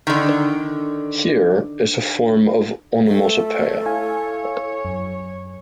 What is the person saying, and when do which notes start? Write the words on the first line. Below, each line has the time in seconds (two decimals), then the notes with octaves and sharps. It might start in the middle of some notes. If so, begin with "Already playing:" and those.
Here it a form of onomatopeia.
0.07 D3 D#3
3.07 A3 A4
3.86 E4 C#5 F5 G#5
4.85 F#2